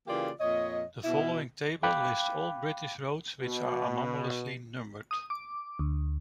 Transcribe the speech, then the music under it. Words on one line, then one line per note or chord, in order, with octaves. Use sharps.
The following table lists all British roads which are anomalously numbered.
C#3 E3 A#3 F4 G4 D5
F2 A#2 C#5 D#5
B2 E4
F5 G5 B5 D6 F#6
B2
D#6
D6
D2